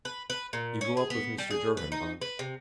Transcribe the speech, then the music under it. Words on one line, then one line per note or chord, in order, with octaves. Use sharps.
"You go up with Mr. Durham, aunt."
B4
B4
A#2
C#4
G#4
B3
G3
G#4
B4
D#4
B4
C3